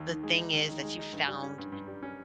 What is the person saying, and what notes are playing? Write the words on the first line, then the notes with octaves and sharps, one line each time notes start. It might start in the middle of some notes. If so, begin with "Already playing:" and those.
the thing is that you found
Already playing: D#2
D#3
G#3
D#4
D#2
D#3
G#3
D#4
G2
G3
C#4
G2
G2
G3
C#4